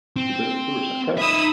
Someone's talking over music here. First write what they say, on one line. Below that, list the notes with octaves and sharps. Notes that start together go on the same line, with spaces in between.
The Great Believers, okay.
C4
D#4 E5 B5 D#6 E6